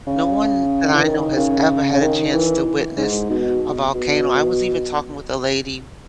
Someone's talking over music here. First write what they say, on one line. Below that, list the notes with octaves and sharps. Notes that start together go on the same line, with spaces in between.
No one that I know has ever had a chance to witness a volcano. I was even talking with a lady
C#3
E3
D#3
C#3
C#3
D#3
E3
G#2
B2
B2